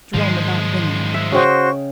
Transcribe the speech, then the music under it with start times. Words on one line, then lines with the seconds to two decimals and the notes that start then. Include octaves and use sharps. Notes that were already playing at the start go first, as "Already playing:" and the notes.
Jerome had not been there.
0.14 G#2 D#3 F3 F#3 G#3
1.14 E5
1.32 C#3 F#4 C5 D#5 G5 C#6